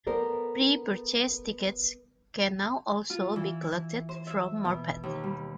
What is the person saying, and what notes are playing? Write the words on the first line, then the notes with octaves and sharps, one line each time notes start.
Pre-purchased tickets can now also be collected from Morpeth.
B3 A4 A#4 C5 D5
F4
E3
E4
C5
E5
B2
D#2
G3